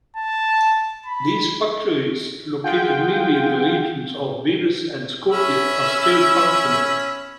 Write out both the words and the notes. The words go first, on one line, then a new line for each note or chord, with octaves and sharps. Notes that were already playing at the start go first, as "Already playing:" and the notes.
These factories, located mainly in the regions of Veles and Skopje are still functioning.
A5
B5
F4 G#4 F#5 G5
C#4 E5 B5